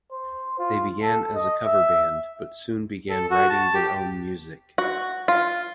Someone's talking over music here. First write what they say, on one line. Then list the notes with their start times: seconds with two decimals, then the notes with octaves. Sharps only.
They began as a cover band, but soon began writing their own music.
0.12 C5
0.59 F4
1.02 A4
1.35 D#5
1.66 E5
3.09 A4
3.31 F#4
3.50 A5
3.74 G4
4.78 F#4
5.28 F4